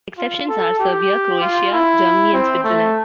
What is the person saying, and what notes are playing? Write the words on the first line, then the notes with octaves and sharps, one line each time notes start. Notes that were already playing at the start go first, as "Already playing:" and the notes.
Exceptions are Serbia, Croatia, Germany and Switzerland.
F4
A4
G4
F4
E4
C4
A3